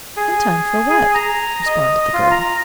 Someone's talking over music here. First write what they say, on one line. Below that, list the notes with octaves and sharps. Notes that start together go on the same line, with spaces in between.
"In time for what?" responded the girl.
G#4
G#4
A#5
D#5
F4
A#5